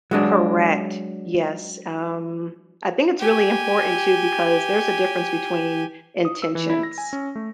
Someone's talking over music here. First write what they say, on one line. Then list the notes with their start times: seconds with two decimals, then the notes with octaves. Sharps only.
Correct. Yes. Um, I think it's really important, too, because there's a difference between intentions,
0.11 F#3 G#3 D4
3.19 G4 G#5
6.25 D#6
6.42 E6
6.55 E3
6.70 E4
6.83 A#6
6.98 G#5
7.13 C#4
7.35 A3